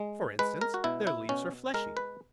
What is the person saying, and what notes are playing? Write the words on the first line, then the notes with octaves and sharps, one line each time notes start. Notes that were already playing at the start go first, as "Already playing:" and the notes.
For instance, their leaves are fleshy.
Already playing: G#3
G#3 B4
A#4
F#4
B2 E4
E4
B2 C#4
G#3 A#4
B4